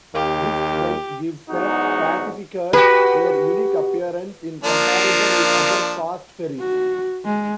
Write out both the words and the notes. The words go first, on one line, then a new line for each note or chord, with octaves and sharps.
This trait gives the PacifiCats their unique appearance in comparison with other fast ferries.
D#2 A#3 G4
E2 G#2 F#3 D#4 F#4
F#4 G4 B4
F3 A#3 D4
F#4
G#3